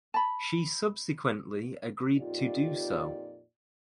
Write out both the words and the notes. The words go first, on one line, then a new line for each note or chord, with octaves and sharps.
She subsequently agreed to do so.
A5 B5
F2 A#2 D#4 F4 G4 D5